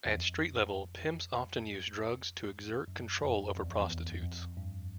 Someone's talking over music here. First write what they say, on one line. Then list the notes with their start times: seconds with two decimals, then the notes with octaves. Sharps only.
At street level, pimps often use drugs to exert control over prostitutes.
0.06 E2
0.18 F2
2.88 F#2
3.22 F2
3.56 F2
3.63 E2
3.79 E2
4.12 F#2
4.23 F2
4.57 G2